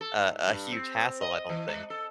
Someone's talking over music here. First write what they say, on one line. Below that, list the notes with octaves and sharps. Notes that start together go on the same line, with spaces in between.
a a huge hassle, I don't think.
A4
G#2
G2
C4
D#5
E3
G#3
A4